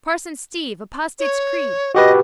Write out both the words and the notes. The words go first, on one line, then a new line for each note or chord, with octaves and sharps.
Parson Steve, apostates' creed!
C#5
F#4 G4 B4 D#5